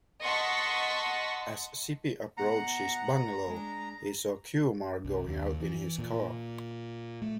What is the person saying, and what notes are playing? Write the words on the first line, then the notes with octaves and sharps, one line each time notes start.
As Sippy approached his bungalow, he saw Kumar going out in his car.
D#5 F#5 A5 C6 C#6 B6
B2 F#5 A#5
G#3 D4
C2
D#2
E3
A#2
A3